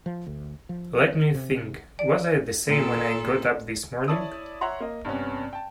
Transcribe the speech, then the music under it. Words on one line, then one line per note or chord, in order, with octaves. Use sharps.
Let me think: was I the same when I got up this morning?
F3
D2
F3
C3
D5
A#2 A4
E4 C#5 D5 A5 D#6
C#5 E5 F#5 A#5 C6
A#3 D#5
G2 C3 B3 C#4
G5 A5